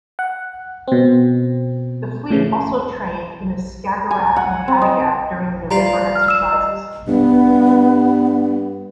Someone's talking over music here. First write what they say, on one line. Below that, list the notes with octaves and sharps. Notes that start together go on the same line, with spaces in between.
The fleet also trained in the Skagerrak and Kattegat during the November exercises.
F#5
B2 C4
A2 C#3 E3
G#5
F#5
C4
D#5
G3 F4 F5 A#5
F6
E6 E7
D#5
G2 B3